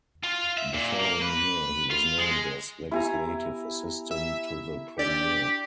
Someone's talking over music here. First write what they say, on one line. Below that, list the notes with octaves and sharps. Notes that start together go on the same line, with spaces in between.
The following year, he was named as Legislative Assistant to the Premier.
F4
E5
A#2
A#3
B4
F4
G#3
B3 E4 G4 G#5 A#5
E5
D4 G4 D5